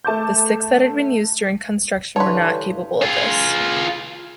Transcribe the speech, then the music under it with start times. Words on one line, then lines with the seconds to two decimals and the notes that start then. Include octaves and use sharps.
The six that had been used during construction were not capable of this.
0.05 A3 A5 D6 G6
2.16 G2 D3 E3 B4 C#5 A5 C6
3.02 F4 G#4